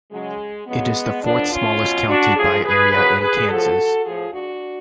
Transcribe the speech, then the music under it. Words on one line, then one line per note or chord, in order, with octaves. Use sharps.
It is the fourth-smallest county by area in Kansas.
C#3 F#3 G#3
C#3 F#3 G#3 B3
A2 F3 B3 D4
C#4 F4
B2 F#3
D4 F#4
A2 F3 F4 G#4
G#4 B4
C#3 F#3 G#4 B4
G#4 B4
A2 F3 F#4 A4
A2 F3 F4 G#4
D4 F#4